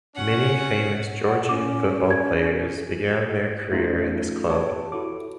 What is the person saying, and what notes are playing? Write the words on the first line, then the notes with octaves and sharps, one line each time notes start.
Many famous Georgian football players began their career in this club.
C#4 F#5
F#5
C#4 D6
G#6
G4
A3 C#4 D#4 F4 F#4 A4
G4 B4 C#5 A5
E4 F#4 A4 D6